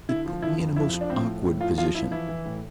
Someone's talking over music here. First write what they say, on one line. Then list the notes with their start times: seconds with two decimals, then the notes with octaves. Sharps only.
It put me in a most awkward position.
0.09 D3 E4
0.26 F3
0.42 D3 E4
0.60 F2
0.76 F3 E4
0.93 F3
1.01 D4
1.10 A2 C4
1.27 A2
1.44 A2
1.61 F3 F4
1.78 F3 F4
1.94 F3 E4
2.11 E3 E4
2.28 E3
2.45 A2